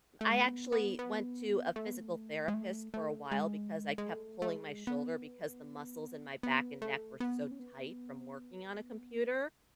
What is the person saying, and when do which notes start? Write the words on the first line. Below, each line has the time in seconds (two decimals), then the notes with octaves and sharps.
I actually went to a physical therapist for a while because I kept pulling my shoulder because the muscles in my back and neck were so tight from working on a computer,
0.21 A3
0.30 G#3
0.37 A3
0.47 B3
0.72 B3
0.99 B3
1.76 A3
1.87 B3
1.97 A3
2.48 G#3
2.54 A3
2.94 A3
3.32 G#3
3.98 G#3
4.09 A3
4.42 A3
4.49 G#3
4.87 B3
6.43 B3
6.82 A3
7.20 B3
7.51 C#4
7.59 B3